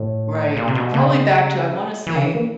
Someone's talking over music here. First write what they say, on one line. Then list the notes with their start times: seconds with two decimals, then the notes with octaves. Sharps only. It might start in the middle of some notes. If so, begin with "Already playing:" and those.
Right, probably back to I wanna say,
Already playing: A2
0.57 A#2
0.68 C3
0.75 B2
0.94 C#3
2.07 E3
2.16 C#3
2.25 E3
2.35 A#3